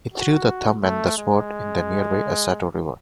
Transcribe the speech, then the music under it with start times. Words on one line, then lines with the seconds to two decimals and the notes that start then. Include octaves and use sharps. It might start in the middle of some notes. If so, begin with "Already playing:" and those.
He threw the thumb and the sword in the nearby Asato River.
0.14 F#4
0.83 A3
1.18 G#3